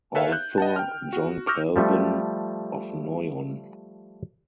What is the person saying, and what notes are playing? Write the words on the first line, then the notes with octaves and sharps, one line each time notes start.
Author, John Calvin, Of Noyon.
A4 B4 C#5 E5 F5
F#6 G6
D#5 F#5 A5
G5 F6
F#4
C#6 D6 E6 F6 G6 A#6
F3 G3 A3